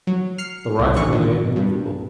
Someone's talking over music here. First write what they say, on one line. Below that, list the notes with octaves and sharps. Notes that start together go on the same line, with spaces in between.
The rifle lay immovable.
F#3
F6 C7 C#7
C2
G#1 D3 E3 C#6 F#6
G#2 D#3
G2